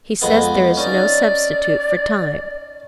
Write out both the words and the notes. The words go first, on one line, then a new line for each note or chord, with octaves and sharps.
He says there is no substitute for time.
F2 G#3 B3
C#4 D#4 D5